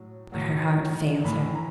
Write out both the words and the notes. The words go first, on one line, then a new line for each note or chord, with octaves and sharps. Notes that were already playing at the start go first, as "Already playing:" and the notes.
But her heart failed her.
Already playing: A2 F#3
A2 F#3
A2 E3 B5
A#5